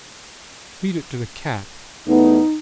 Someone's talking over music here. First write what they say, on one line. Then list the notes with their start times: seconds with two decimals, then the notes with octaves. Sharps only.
"Feed it to the cat."
2.07 E2 A3 B3 D#4